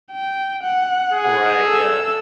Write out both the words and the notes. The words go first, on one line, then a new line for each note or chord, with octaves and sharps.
Right, yeah.
G5
F#5
G#4
A4 E6